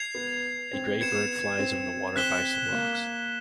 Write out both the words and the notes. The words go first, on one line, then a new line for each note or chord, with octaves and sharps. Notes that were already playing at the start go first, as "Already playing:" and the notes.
A gray bird flies over the water by some rocks.
Already playing: G#6 C7 F7
B3
C4
B3 G#6 C#7 E7
C4
C4 F#6 B6 E7 G7
A#3